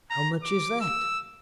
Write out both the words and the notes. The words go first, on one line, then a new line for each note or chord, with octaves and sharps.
"How much is that?"
A#5
D6
E6